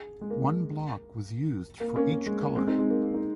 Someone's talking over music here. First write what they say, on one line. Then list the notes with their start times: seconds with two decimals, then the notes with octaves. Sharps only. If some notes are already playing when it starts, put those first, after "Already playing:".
One block was used for each colour.
Already playing: G#4
0.21 G#3
0.30 A#3
1.80 A#3
1.96 A#3 C#4
2.12 A#3
2.26 G#3
2.41 A#3
2.56 G#3 C4
2.67 C4 D#4
2.79 G#3
2.90 A#3
3.02 A#3
3.14 D#4